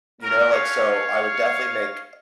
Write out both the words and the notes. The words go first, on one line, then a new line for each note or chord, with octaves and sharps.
you know like, so I would definitely make a
A3 C#4 F#4 A#4
C#5 F5